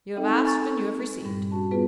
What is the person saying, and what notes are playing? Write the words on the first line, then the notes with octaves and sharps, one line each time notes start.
You have asked, and you have received.
C4 D#4 A4 E5 G5
G#5 A#5 C#6 A6
C4 A4
G2 A#2 G3
C#4 F#4 A5
G3 B3 F4 G#4 B4